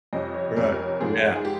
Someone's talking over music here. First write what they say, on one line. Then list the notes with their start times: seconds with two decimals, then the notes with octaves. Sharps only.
Right, yeah.
0.13 F2 C3 G3 C#4 D#5
0.34 C#5
0.57 F2 C3 G3 C#4 A#4
1.00 G#2 F3 C4 G#4
1.36 G#4
1.45 G4